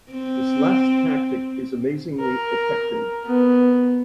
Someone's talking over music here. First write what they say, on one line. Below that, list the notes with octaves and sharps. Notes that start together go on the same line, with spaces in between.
This last tactic is amazingly effective.
C4
A#4
B3